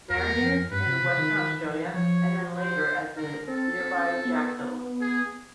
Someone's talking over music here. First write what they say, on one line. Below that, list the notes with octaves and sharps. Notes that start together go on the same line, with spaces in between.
Narryer in Western Australia and then later at the nearby Jack Hills.
E2 A#4
F2
G2 B4
C3
C3
D#3
D#3
E3
F3 C#5
C5
A#4
C4 A4
C4
C#4
C4
B3
G#4